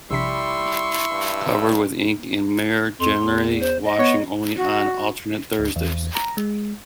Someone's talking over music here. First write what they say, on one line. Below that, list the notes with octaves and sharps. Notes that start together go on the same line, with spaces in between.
Covered with ink and mire generally, washing only on alternate Thursdays.
A#1 C3 G3 E4 C6 C#6 E6 B6
G2
F2 C6
E2
C5
D#5
B3 C#5
F#4
D2
E2
A#5
G#3